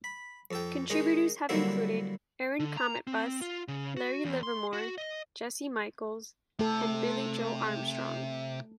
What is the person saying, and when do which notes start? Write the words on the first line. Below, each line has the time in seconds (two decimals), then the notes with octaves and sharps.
Contributors have included Aaron Cometbus, Larry Livermore, Jesse Michaels, and Billie Joe Armstrong.
0.04 B5
0.51 F2 A4 G5
0.90 D#3 G#3 C#4 D#4
1.49 D3 F#3 G3 A#3 C4 E4
2.60 D3
2.77 A#5
3.07 C4
3.42 F4
3.68 C#3
3.97 F#4
4.25 E2
4.43 C6
4.73 F#4
4.98 D#5
6.59 C3 A3 A4